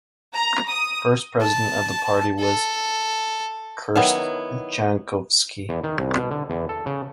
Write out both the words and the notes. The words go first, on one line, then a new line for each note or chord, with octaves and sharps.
First president of the party was Krste Jankovski.
A#5
D#6
A5
A4
D#3 F#3 B3 E4
E2
D#3
C2
B2
D3
E2
A4
C#3